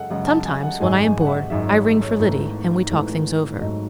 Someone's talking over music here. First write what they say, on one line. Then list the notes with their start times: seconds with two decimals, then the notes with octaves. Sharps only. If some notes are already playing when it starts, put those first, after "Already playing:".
Sometimes, when I am bored, I ring for Liddy, and we talk things over.
Already playing: F#2 C#3 G#3 A4 F#5
0.10 F#2 C#3 G#3 F#5
0.27 A5
0.45 G#5
0.63 F#5
0.80 G#1 F#2 D#3 G#3 G#5
1.03 G#5
1.21 F#5
1.27 E5
1.50 G#1 F#2 D#3 G#3 E5
1.68 C#5
1.85 A4
2.02 C#5
2.19 G#1 G#2 E3 A3
2.90 G#1 G#2 E3 A3
3.59 G#1 G#2 F#3 A3 D#5